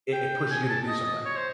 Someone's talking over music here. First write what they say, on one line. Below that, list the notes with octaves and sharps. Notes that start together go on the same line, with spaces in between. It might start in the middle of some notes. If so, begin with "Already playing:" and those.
it it pushes you to do something.
G5
G#5
A5
D#5
C#5
C5